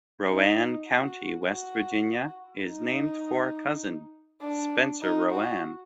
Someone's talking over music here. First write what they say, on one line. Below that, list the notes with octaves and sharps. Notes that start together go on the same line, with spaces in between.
Roane County, West Virginia, is named for a cousin, Spencer Roane.
D#4
F#4
F#4
D#4
D4
D#4
F#4